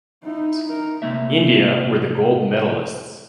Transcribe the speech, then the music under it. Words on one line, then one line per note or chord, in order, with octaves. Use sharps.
India were the Gold medalists.
D#4 E4
D#4 A#4
C3 A3 A#3 E5